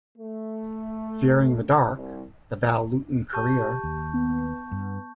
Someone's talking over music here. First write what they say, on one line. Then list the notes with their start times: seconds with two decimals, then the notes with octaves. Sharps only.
"Fearing the Dark: The Val Lewton Career".
0.18 A3
1.94 C2
3.33 G4 A5 C#6 G6
3.84 D#2
4.14 B3
4.72 G2